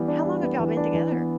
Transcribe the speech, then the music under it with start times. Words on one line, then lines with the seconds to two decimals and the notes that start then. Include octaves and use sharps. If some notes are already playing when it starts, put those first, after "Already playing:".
How long have y'all been together?
Already playing: E3 G3 B3
0.08 D4
0.25 G3
0.43 B3
0.60 E3
0.77 D4
0.94 E3
1.12 B3